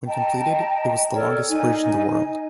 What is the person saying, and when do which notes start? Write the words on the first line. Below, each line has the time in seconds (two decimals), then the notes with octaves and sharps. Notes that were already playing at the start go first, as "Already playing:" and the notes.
When completed, it was the longest bridge in the world.
0.06 D#5 G5 A5 A#5
1.13 A4 A#4 C#5 D5
1.48 D#4 G#5